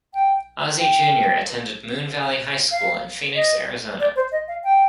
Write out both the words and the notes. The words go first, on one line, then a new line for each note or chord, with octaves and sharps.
Ozzie Junior attended Moon Valley High School in Phoenix, Arizona.
G5
G5
F5
D#5
D5
C5
D#5
F5
G5